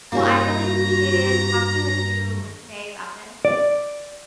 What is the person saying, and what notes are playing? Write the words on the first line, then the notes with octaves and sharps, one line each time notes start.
Well, I really appreciated talking with you today about this.
C2 G2 A#3 F#4 A#5
D5